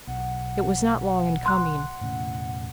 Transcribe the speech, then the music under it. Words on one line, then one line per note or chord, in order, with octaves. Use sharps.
It was not long in coming.
B1 F#5
C6 F#6
E1 A2 C#3